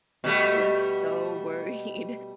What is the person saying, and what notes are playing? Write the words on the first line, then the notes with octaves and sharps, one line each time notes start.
I was so worried,
B2 G3 A3